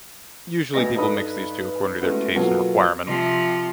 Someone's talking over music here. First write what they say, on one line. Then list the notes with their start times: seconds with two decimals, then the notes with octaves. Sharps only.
Usually people mix these two according to their taste and requirement.
0.74 D2 B3 D#5 G#5 A#6
0.96 G2 D#4 A4 B4 B5 D#6
2.01 G#3 A3 B3 C#4 E4 F#4
2.36 B2 F#3 A#3 B3 F4 A4
3.06 C3 F3